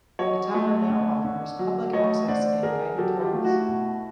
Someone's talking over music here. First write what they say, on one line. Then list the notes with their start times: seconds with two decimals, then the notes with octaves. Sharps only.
The tower now offers public access and guided tours.
0.19 F#3 C#5 D#5
0.54 A3
0.89 D3
1.24 D3
1.59 F#3
1.93 A3 C#5 D#5
2.28 D3 C5 D5
2.63 D3 G#4 A#4
2.98 F#3 G4 A4
3.21 F4 G4
3.33 A3
3.44 E4 F#4
3.68 B2